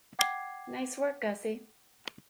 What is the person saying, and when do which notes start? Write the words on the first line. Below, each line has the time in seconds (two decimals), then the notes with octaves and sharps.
Nice work, Gussie.
0.19 F#5 G5 D6 G#6 C7